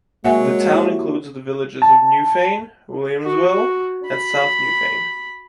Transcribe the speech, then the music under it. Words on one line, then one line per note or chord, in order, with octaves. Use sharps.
The town includes the villages of Newfane, Williamsville and South Newfane.
F#3 G#3 A#3 C#5 E5 F#5 G#5
E4 F#4 G4
A5
F#4
B5